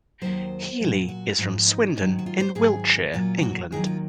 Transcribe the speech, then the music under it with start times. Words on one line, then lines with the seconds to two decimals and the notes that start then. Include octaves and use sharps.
Healey is from Swindon in Wiltshire, England.
0.22 D#2 D#3 F#3 C5
0.80 A#2 F#3
1.09 F#4
1.38 G#2 F3
1.68 D#4
1.97 G#2 D#3 F#3
2.19 F#4
2.26 F4
2.40 C5
2.55 G#2 D#3 F#3 G#4
3.14 A#2 F#3 F4
3.43 F#4
3.72 D#2 D#3 F#3 G#4
3.86 F4